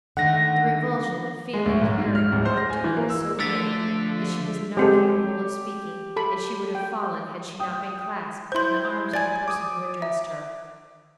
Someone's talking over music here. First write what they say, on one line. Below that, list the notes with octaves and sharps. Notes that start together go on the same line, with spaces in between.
The revulsion of feeling at hearing her own tongue was so great that she was not capable of speaking, and she would have fallen had she not been clasped in the arms of the person who addressed her.
D3 D#3 A3 F#5 A#6
G#3
D2
B1
G#2
F6
D1
C5
A#6
G#5
E3
A#3
E6
D3 F3 A3 E6 A6 B6
G#3 C4 G4 A4
A4 B5
G5
G5 D#6
E4 C5 C6 G6
D5 G#5 G#6 A6
D6 D#6
E5